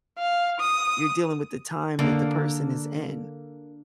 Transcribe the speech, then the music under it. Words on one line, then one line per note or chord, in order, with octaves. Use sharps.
you're dealing with the time that the person is in,
F5
D#6
D3 A#3